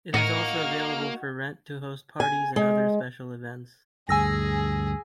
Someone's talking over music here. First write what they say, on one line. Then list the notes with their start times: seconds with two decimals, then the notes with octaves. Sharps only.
It is also available for rent to host parties and other special events.
0.14 A2 A#3 D#4 F#4 F6 A#6 D#7
2.20 G#5
2.56 G#3
4.09 D2 G2 G#4 G#5 E6 A#6